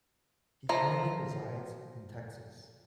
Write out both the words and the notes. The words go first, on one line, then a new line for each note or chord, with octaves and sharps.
He currently resides in Texas.
F3 A#5